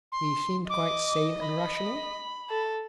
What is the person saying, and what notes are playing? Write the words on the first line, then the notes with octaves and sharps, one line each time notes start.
"He seemed quite sane and rational?"
C6
D#5 D6
B5
A4